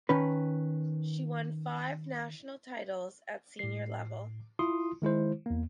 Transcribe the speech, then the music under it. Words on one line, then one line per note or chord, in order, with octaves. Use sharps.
She won five national titles at senior level.
D#3 C#4 B4
A2 C7
E4 F4 C6 D#6
D#3 G#3 E4 C5
E2 A#3